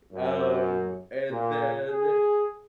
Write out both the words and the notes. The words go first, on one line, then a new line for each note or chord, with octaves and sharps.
Um, and then
F#2
A#2
G#4